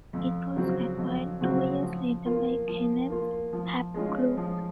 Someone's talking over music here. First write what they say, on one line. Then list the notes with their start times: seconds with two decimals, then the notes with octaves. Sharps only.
It was acquired two years later by Kenneth "Hap" Klopp.
0.13 F2
0.56 C#3 F#3 C4 F#4
0.98 F2
1.41 C#3 F#3 C4 F#4
1.83 F3
2.25 A#3 F4
2.68 F3
3.10 A#3 F4
3.53 F3
3.94 G#3 C#4 F4
4.37 F3